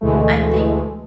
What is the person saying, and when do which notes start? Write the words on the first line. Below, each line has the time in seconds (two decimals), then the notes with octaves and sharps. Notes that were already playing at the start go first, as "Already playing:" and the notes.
I think
0.01 D2 B2 E3 G#3 A3